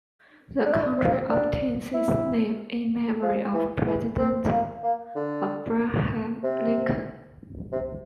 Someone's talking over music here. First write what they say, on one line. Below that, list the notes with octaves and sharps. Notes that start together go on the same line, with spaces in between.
The county obtains its name in memory of President Abraham Lincoln.
D4
E4
D4
C4
A#3
C4
D4
E4
F3
E3
E3
C4
A#3
A#3
D3
C3
C3